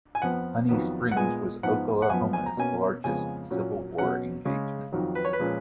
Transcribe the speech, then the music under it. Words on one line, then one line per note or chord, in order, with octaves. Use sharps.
Honey Springs was Oklahoma's largest Civil War engagement.
G#5
F2 F3 B3 F#5
F2 D#3 F#3 B3
F#5
A#2 G#3 B3 G#5
G#2 F3 B3 F#5
F#5
F#2 F3 B3 G#5
G#5
A#5
B2 A#3 C#4 G#5
F2 C#3 G#3 B3 G#5
A#2 F#3 C#4
B2 F#3 C#4 F#5
C#3 G#3 C#4
F2 D#3 F#3
B4
C#5
B4
A#2 F3 G#3 C#4